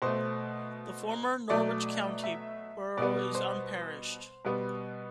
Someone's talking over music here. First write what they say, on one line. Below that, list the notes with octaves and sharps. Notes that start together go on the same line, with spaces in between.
The former Norwich County Borough is unparished.
B2 A3 C5
B2 F#3 A3 D5
E5
B2 G3 B3 D5
C5
B2 G3 B3